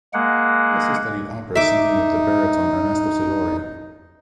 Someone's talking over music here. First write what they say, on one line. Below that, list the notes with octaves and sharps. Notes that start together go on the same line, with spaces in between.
He also studied opera singing with the baritone Ernesto Sivori.
G#3 A#3 F#5
D#4 E5 D6